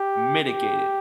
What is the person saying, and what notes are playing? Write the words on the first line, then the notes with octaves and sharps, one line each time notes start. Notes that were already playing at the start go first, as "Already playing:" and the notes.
mitigate it
Already playing: G4
G4